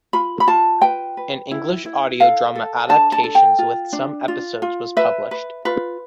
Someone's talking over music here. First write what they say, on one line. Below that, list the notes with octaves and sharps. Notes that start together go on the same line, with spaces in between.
An English Audio drama adaptation with some episodes was published.
F4 B5
B5
F4 A5
B4 G5
B4
E4
E4
A4 F5
A4
D4 A5
A5
A4
G5
F4
D4
F4
F4
B4 E5
B4
F4 B4